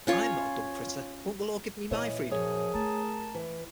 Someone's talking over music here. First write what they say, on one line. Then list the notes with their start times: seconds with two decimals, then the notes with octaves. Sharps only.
I'm not a dumb critter; won't the law give me my freedom?
0.07 C#4 F4 C#5
1.91 A#2 E3 F#3 C#5 D#5
2.32 F#2 F3 G#4 C#5
2.74 A3 A#4 A5
3.35 E3